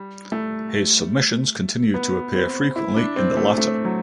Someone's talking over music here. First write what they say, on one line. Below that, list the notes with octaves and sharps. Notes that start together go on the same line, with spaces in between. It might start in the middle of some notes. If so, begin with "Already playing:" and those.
His submissions continue to appear frequently in the latter.
Already playing: G3
A3
B3
C4
E4
D4
C4
A3
A3
F#3